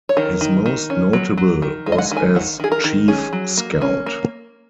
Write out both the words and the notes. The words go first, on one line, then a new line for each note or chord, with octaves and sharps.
His most notable was as Chief Scout.
C#5
D#3 A#4
D#3
D#3
C#4
F#3
F#3
D#3
G#3
D#5
F#5
D#3
G#5
D#3 F#5
D#3 G#4
A#4
D#3
C#4 G#4
F#3
A#3
C#4
A#3